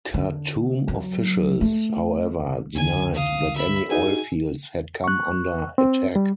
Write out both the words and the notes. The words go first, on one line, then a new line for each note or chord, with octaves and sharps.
Khartoum officials, however, denied that any oil fields had come under attack.
D3
F#3
A3
C#2 D3 G#5
F5 D#6
E5 B5
D#4 F#4 G#4 G#5
C#6 F#6
C4
G3